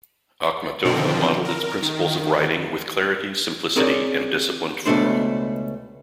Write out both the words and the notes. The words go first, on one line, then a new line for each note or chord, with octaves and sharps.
Akhmatova modeled its principles of writing with clarity, simplicity, and disciplined form.
B2 D3 D#3 F3 C4
A#4
D#3
C4 G#4 A#4 C#5 D5
C#2 B2 F3 A3 D4 C5